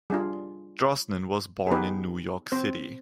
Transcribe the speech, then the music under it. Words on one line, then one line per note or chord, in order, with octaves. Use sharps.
Drosnin was born in New York City.
G3 D4 F4 G#4
G#4
B3 D#4 G4 B4
C4 C5